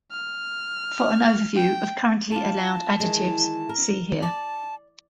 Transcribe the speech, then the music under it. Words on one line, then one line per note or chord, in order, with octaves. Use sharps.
For an overview of currently allowed additives see here.
F6
G5
B3 D4 F4 A5
D#3 E3 G#3
A#4
D5 A5